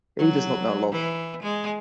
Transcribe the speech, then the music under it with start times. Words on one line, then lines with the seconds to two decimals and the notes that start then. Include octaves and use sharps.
He does not know love.
0.18 F#3
0.92 E3
1.42 G#3